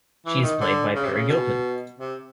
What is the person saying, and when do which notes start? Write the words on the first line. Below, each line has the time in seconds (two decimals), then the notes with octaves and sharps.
She is played by Peri Gilpin.
0.26 E3
0.42 D#3
0.60 D3
0.95 C#3
1.04 C3
1.13 C#3
1.29 B2
1.99 C3